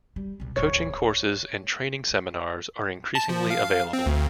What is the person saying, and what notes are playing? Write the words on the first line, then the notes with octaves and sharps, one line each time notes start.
Coaching courses and training seminars are increasingly available.
G3
C2 B2
D1 A2 C#5
A5
F3
F5
C4
D2